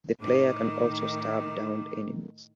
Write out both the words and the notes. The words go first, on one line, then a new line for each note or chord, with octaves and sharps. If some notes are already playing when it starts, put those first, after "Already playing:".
The player can also stab downed enemies.
A2 D#3 D6